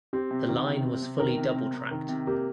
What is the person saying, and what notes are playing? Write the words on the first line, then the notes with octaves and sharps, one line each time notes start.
The line was fully double-tracked.
C4 G4
C3
D#3
C3
C4
C3
D#3 A#4
C3
C4
C3
D#3
C3
A#3 G4